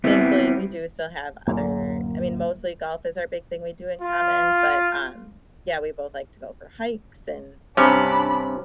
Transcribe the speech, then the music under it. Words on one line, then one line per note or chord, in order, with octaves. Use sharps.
thankfully, we do still have other I mean, mostly golf is our big thing we do in common, but, um Yeah, we both like to go for hikes and,
G3 B3 C4 E4
D1 F#2 A#3
F4
G2 C3 C#4 D4 B5